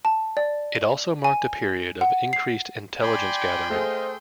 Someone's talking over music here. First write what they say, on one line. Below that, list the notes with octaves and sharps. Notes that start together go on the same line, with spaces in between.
It also marked a period of increased intelligence gathering.
A5
D5
G#5
F#5
C7
D5 G5 G#5 B5 C6
A3 G#4 C5 D#5 F5